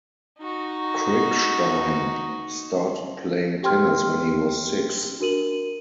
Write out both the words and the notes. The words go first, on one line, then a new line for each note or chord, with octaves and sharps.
Krickstein started playing tennis when he was six.
D#4 F#4
G4 G5 C6 F6
D4 F#4 A#4 D#7 F#7